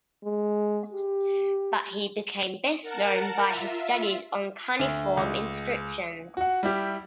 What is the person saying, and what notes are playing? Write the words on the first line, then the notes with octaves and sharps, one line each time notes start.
But he became best known by his studies on cuneiform inscriptions.
G#3
G4
A#4 F#5 A5 A#5
F4 E5
D2
C#2
F#4 F#5
G3 E4 G4